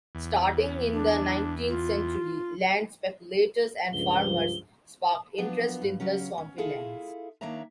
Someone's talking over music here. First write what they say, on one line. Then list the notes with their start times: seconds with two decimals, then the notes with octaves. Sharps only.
Starting in the nineteenth-century land speculators and farmers sparked interest in the swampy lands.
0.15 E2
0.93 D4
1.69 F4
3.93 C#2 G2 F3 G7
5.38 F3 F#3 B3 D4
5.82 G2
6.00 C#3 F#3 C#4
6.38 C#4
6.58 E4 F4 G#4 A4 F5
7.41 D#3 A#3 D4 C#5 E5 A#5